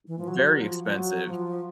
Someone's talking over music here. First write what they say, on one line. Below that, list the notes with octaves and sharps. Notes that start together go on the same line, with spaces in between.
very expensive,
E3
F3
F#3
F3
F3
F#3
F3